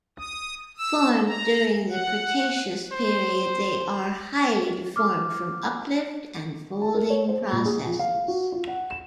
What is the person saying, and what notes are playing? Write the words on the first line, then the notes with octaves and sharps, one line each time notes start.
Formed during the Cretaceous Period, they are highly deformed from uplift and folding processes.
D#6
E6
A#5
F#5
C5
D6 F6
A5
A#4
C#5
C5
A#2
G#4
F3
F5
F#4
F4
F#5
E7